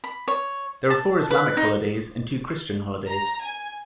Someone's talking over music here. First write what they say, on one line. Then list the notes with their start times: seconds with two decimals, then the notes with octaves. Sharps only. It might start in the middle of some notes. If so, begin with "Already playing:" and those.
There are four Islamic holidays and two Christian holidays.
0.04 B5
0.28 C#5
0.90 A5
1.31 B4
1.57 D#4
3.07 A#5
3.43 G#5